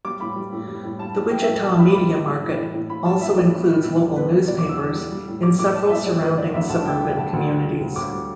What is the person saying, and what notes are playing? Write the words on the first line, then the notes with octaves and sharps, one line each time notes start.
The Wichita media market also includes local newspapers in several surrounding suburban communities.
G3 D6
A2 B5
G3
A2
G3
A2
G3 A5
A2
G3 G5
E5
A2
G3 A5
A2 B5
D6
G3 B5
A2
G3
A2
E3
A2
A2 B5
G3 A5
E3 E5
A2 D5
A2
G3
B2
E2
E2 B4
G3
B2 D5
D6
E2
E6
E2
G3
G3
A2
G3 D6
A2 D6
G3 A5
A2 E5
G3 D5
A2 B4
D3 D5
D2 E5
D2 A5
G3 G5
D3 G5
D2 A5
D2
G3
D3
D2
D2 D6
G3